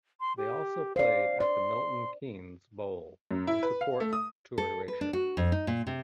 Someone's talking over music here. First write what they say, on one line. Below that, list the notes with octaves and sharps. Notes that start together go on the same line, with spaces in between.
They also played at the Milton Keynes Bowl in support to Erasure.
C6
G4
C5 D5 F5
D5 C6
F#2
E4
B4
F5
A3
D#6
A4
B4
D4
F#4
F2
D#4
A#2
C3